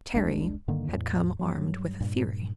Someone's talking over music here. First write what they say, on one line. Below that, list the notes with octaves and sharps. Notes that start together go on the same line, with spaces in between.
Terry had come armed with a theory.
E1 C2 G#3 D4
G2 D3 D#3 A#3
E2 A2
G2 F#3
G2 A#2